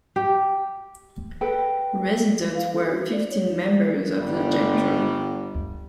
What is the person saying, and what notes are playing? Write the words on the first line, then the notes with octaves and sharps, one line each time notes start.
Resident were fifteen members of the gentry.
G4
A4 B4 G5
F5
A4
F#4
D5
C#5
D#4
D5
G1 G3